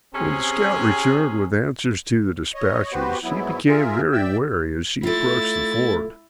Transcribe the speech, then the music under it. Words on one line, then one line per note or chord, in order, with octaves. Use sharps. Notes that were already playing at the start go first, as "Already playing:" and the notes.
When the scout returned with answers to the dispatches he became very wary as he approached the ford.
C3 C4 C#4 G#4
C#5 D#5
B3 F#4 G4 B4 C5
G#2 F#3 B3 E4
F4 G#4 A#4 E5
D5 E5 G5 E6
A3 E4 F4 A6